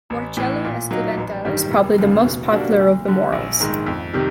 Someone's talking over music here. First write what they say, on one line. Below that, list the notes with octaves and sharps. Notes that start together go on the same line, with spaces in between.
"Morchella esculenta" is probably the most popular of the morels.
A1
A2 E3
A#2
F#3 A#3 D#4
A1
G2 D#3 G3
F1
D#2 C#3
B2
G3 A#3 D4 F#4
D2
D3 G3
A#1
G#2 D#3 G#3
F2
C3 D#3 G3